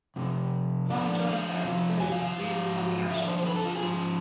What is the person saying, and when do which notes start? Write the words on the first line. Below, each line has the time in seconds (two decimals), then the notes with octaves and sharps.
Brom joined her in suing for freedom from the Ashleys.
0.16 F2 C3
0.90 E2 D3 F3 D5
1.27 F5
1.63 F2 C3 F3
2.00 G#5
2.12 F5
2.24 F5
2.36 G#2 F3
3.10 F2 D3 F3 E5
3.19 D5
3.28 C5
3.38 C5
3.46 B4
3.56 A4
3.66 F4
3.75 G#4
3.83 G#2 F3 F4